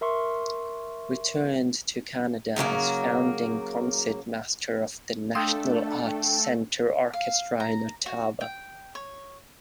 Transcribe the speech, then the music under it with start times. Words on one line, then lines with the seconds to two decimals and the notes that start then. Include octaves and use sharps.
Returned to Canada as founding Concertmaster of the National Arts Centre Orchestra in Ottawa.
0.01 A#4 E5 C6 C#6
2.56 C#3 F#3 A3 A#3
5.35 A3 D4 A4 F5 G5 C6 D#6 E6
7.14 F5
7.60 A#5
8.06 F#4
8.41 G5
8.95 C#5